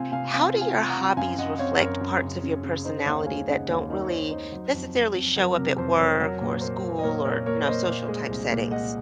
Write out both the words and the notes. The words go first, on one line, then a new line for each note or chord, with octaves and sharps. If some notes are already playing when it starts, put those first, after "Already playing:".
how do your hobbies reflect parts of your personality that don't really necessarily show up at work or school or, you know, social-type settings?
Already playing: C3 C4 F4 F5 G#5
C3 F5 G#5
C4 F5 G#5
F4
F5 G#5
C4
F#5 A#5
C4
F#2 F5 G#5
F#2 D#5 F#5
C4 C#5 F5
F#2 A#4 C#5
F#2
C#3
C#3
C#3
D#4 C5 D#5
D#2 C#5 F5
G#3 F5 G#5
C#3 D#5 F#5
D#2 C#5 F5
D#4 A#4
C#5
D#4 C5
D#4 C5
F#3
F2
F#3
F2
F#3 A#4
C3 A#4
F2 C5
F2 A#4 C#5
F#3 A#4 C#5
A#2
A#3 C5
A#3
D#5
A#2 A#4 C#5
A#2 A#4 C#5
A#3 A#4 C#5
A#3 C5 D#5
A#2
G#3
C2
A#2
G#3 D#5 F#5